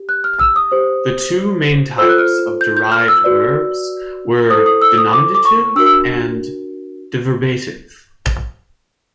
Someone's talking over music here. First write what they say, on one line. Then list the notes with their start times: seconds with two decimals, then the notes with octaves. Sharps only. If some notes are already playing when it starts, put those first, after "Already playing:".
The two main types of derived verbs were denominative and deverbative.
Already playing: G4
0.09 F#6
0.24 F6
0.39 E6
0.56 D#6
0.72 G4 C5
1.98 F4 A4 C5 E6
2.09 F#6
2.18 F6
2.61 G6
2.77 G6
2.92 F6
3.08 E6
3.24 F#4 B4 D5
4.50 E4 A4 C5 D#6
4.66 D#6
4.82 E6
4.98 D#6
5.13 D6
5.35 D6
5.45 C#6
5.76 D4 F#4 A#4 E6
5.86 E6